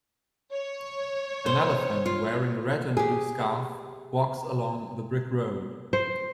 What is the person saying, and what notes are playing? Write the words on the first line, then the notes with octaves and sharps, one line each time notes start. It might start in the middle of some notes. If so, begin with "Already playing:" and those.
An elephant wearing a red and blue scarf walks along the brick road.
C#5
C5
F4
G4 G#4
C5